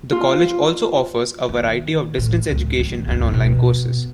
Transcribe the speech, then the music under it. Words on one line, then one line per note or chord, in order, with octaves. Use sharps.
The college also offers a variety of distance education and online courses.
F4
D#3
A2
C#2
D#3
D2 G2
B2 B3